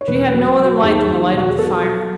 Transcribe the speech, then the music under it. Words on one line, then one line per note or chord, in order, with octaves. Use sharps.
She had no other light than the light of the fire.
C#5
E1 B4
B4
F#3
F#3
F#4
F#4
D#2 G#4
D#2
E1 F#4
G#4
B2 A4
F#3